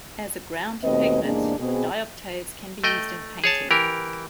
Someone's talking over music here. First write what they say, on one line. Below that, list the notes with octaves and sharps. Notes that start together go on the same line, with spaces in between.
As a ground pigment, dioptase can be used in painting.
D#2 B2 A3 C4 B4 D#5
E2 G#2 C3 G#3 A#3 D4
B2 B3 C4 G#4
A3 D#5 G5
G#4 C#5 A5
E3 G4 A#4